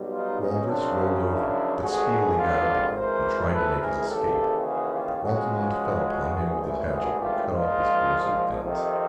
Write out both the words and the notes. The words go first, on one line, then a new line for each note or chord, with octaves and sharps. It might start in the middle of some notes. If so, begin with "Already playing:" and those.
The walrus rolled over, but speedily got up again, and tried to make his escape, but Altamont fell upon him with his hatchet, and cut off his dorsal fins.
Already playing: B1 B2 G3
D#4 F4
C#4 D#4
F#2 C#3 F3 C4 D4
D4 E4
G#1 G2 D3 F#4 G#4
F4 G4
G#1 G#2 E3 A#4 C5
A4 B4
G#4 A#4
D#2 C#3 E3 G4 A4
F#4 G#4
F4 G4
C#2 C#3 F3 G#3 F#4 G#4
G#1 G2 E3 A3
F#4 G#4
F4 G4
A#1 G#2 F3 D#4 F4
F2 C3 D#3